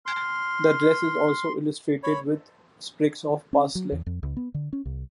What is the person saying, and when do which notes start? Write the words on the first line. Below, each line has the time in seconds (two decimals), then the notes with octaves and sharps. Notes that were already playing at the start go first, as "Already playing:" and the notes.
The dress is also illustrated with sprigs of parsley.
0.06 C6 F6
2.03 C#5 B5
3.53 C#4
3.75 F#3
3.92 E2
4.06 F2
4.23 C#2
4.37 B3
4.54 D3
4.73 C#4
4.86 C2